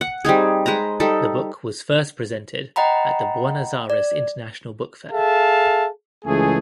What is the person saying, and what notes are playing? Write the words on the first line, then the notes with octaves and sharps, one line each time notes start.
The book was first presented at the Buenos Aires International Book Fair.
F#5
G3 C4 D#4 G#4
G#3 B4 C5 A#5
G3 D#4 A4
D#5 F#5 G5 A#5 B5
D5
G#4 A4 E5 F5 A5
C#2 E3 A3 G#4